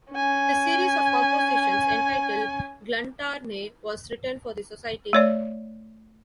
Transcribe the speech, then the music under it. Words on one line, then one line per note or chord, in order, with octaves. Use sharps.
His series of compositions entitled "Gluntarne" was written for the society.
C#4 G#5
A3 C#5 D5